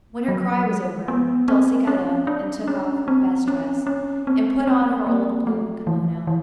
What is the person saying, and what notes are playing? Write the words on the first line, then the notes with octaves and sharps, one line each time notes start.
When her cry was over Dulcie got up and took off her best dress, and put on her old blue kimono.
F#3
G#3
B3
C4
C#4
D4
C#4
C4
C#4
C#4
C4
C4
A#3
A3
E3
E3